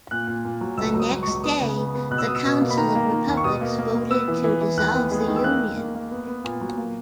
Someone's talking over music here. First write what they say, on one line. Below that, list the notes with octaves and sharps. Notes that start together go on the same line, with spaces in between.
The next day the Council of Republics voted to dissolve the Union.
A#2 F#6
A#2
A#2
F#3
C#2 E6
F#3 D#6
F#3
C#2 C#6
B3 D#6
C#3
B3
B3
B2 F#6
E6
B2 D#6
E6
B2
A#3
B5
D#3 A#5
A#3
D#3
D#2
C#6
B2 D#6
A#3
A#3
A#3
B3 E6
E3
E3
E3
D#2 F#6
B3
G#3
D#3
E6
A#3 F#6
A#3
A#3
A#3
B3
B3
A#2
F#3
A#3